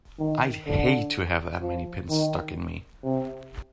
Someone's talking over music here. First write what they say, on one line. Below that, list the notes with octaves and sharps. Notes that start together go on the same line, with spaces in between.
I'd hate to have that many pins stuck in me!
D#3
D3
F3
D#3
C3